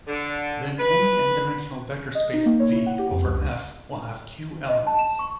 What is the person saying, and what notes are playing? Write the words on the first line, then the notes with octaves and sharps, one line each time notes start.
Then any "n"-dimensional vector space "V" over F will have "q" elements.
D3
B4
D#5
D#4
A#3
C#5
E4
F#5
G4
F2
C#2
D#5
A5
E7
C#6